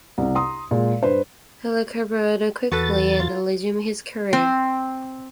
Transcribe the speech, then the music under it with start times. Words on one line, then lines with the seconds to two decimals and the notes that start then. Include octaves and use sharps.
He recovered quickly and resumed his career.
0.18 C2 C3
0.35 A#5 C6 D#6
0.71 A#2 G#3
1.03 G2 B4 C5
2.72 E2 F#4 A4 B4 A6
3.20 F4
4.33 C4